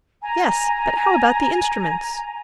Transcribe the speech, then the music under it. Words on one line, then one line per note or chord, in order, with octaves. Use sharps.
"Yes, but how about the instruments?"
G#5 A#5